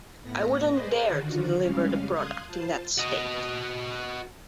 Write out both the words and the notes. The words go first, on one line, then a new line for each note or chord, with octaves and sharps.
I wouldn't dare to deliver the product in that state.
A2 B3 A#6
G#4 B4 C5 D5 D#5
D3 D#3 F4 F#4
F2 C#3 G3 G#3 C#4 F5
F5 C6 D#6 F#6 G#6
F4 C5 A5
F#4 D#5